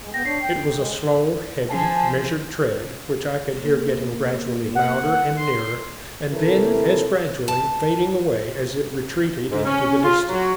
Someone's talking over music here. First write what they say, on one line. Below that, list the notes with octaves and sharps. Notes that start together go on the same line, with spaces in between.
It was a slow, heavy, measured tread which I could hear getting gradually louder and nearer, and then as gradually fading away as it retreated into the distance.
G#3
B3 G5 A#6
D4 C#5 C7
F2 G5
G#3
F3 G#5 A5
A#3
F#5
C6
C3 E3 A4 A#4
A5
G#2
C#4
F4
F#3